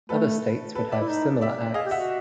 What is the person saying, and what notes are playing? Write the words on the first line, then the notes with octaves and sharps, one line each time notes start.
Other states would have similar Acts.
A3 A4 B4
A4 B4
D5 E5
E4
D#4
D5 E5
G#4 D#5 F5
G4
E5 F#5
F#4